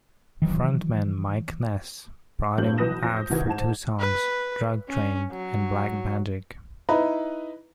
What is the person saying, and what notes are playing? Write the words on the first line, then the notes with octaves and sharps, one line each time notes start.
Frontman Mike Ness brought him out for two songs, "Drug Train" and "Black Magic".
D#3 E3 F#3
G2 F#3 A3 C4 G6 F#7
B1 E3 B4 D#6 A#6 E7
F2 A#6
G6
C2 D#3 F#4 B4 G#6
G#2 C5 A5 E7
B4
C#4
F#3
D#4 E4 B4 D#5 A#5